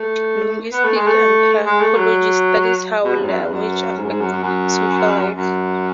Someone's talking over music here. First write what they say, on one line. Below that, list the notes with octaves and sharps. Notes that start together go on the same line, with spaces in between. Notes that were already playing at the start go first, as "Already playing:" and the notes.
Linguistic anthropology studies how language affects social life.
Already playing: A3
B3
A3
G#3
A3
G#3
A3
F#3
B2
E2
G#2
F#2
E2
F#2
G#2
F#2
G#2
F#2
F#2
F#2
F#2